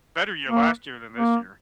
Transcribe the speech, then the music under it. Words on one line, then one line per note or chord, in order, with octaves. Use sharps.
better year last year than this year.
A#3
A#3